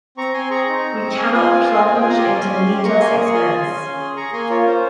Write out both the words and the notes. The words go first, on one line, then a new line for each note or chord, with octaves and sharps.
We cannot plunge into needless expense.
C4 A#5 C#6
C4 G#5 C6
G#4 A#5 C#6
D#4
C4
C4
C#6
G#4 G#5 C6
F4 G#5 C6
C4 F5 G#5
C4
G#4 F5
G5
F4 G#5
A#5
G4 G#5 C6
C#4
C#4
G4
C6
A#3 A#5 C#6
A#3 G#5 C6
G#4
C#6
F4 G#5 C6
G#4
C#4
C#4
G#4
G#4 A#5 C#6
A#3 G#5 C6
F4 A#4 C#5
C#4 C5